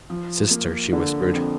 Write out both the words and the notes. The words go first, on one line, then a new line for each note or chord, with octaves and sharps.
"Sister!" she whispered.
F3
A#3
D3
F2